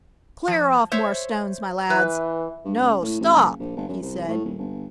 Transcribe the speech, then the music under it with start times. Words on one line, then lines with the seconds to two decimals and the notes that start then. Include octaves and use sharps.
"Clear off more stones, my lads. No; stop!" he said.
0.48 F3
0.92 C5 C#5 E5
1.90 E3 B4
2.65 G2
2.80 C#2
3.02 A2
3.21 A1
3.35 F#1
3.60 A#1
3.76 G1
3.89 F#2
4.01 C2
4.28 A2
4.45 D#1
4.58 G1